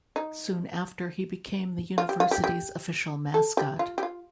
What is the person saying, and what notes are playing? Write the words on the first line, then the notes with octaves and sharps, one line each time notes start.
Soon after, he became the university's official mascot.
D#4
F4
G4
F4
G4
G4
A4
G4
F4
G4
F4